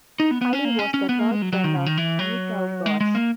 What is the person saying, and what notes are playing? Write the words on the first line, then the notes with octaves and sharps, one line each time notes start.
Ali was the close friend of Amitav Ghosh.
D#4
B3
B3
C#4
A#3
C#4
C#4
B3
A#3
G#3
F#3
F#3
D#3
C#3
D#3
E3
F#3
G#3
G#3
A#3